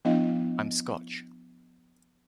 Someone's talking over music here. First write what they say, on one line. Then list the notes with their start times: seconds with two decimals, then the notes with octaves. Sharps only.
I'm Scotch.
0.05 F3 B3 D4 E4 D#5 F5